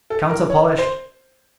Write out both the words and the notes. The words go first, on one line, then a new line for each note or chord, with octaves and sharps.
Counter polished.
A4
A#4
C#5
C5